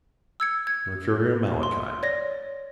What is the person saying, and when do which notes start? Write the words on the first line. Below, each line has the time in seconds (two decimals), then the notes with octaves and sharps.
Mercurial Malachi.
0.40 E6 G#6 C#7
0.67 G#6
1.63 C6
2.03 C#5 D5 A#6